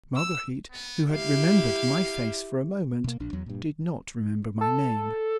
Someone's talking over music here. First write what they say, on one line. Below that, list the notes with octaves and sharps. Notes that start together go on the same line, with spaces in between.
Marguerite, who had remembered my face for a moment, did not remember my name.
E6
B3
E4 G4 F5
B2 A#3
A#1 D4
E2 F#3
G2 A#2
A4